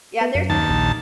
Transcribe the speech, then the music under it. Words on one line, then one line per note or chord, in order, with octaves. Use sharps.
Yeah, there's
B3
F#2
D#2 A5
A#1